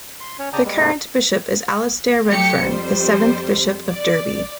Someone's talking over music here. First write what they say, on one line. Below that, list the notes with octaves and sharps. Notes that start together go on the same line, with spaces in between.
The current bishop is Alastair Redfern, the seventh Bishop of Derby.
C6
C#4 C#5
C#3 D5 G5 A5 A#5 D#6
G3 G#3
G#2 C3 A3 A#3 D#4 E4
F#3 A3 G4 C#7
F2 G3 C5
D5